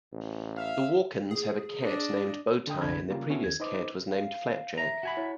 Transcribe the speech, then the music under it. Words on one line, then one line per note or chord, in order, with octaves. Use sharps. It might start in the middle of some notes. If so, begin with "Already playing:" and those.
The Walkens have a cat named Bowtie and their previous cat was named Flapjack.
A1
E5 F5
G#4
D4 D#5
D3 A4 G5 D#6
C2 F#2 D3 B5 G#6
C#3 G3 A#3 F4
B3 C#4 E4 F#4 A4
D#2 G#6
D#4 B4 C5 D#5 D6
F5
E5 A#5
F#4 G#5 B5
E4 C#5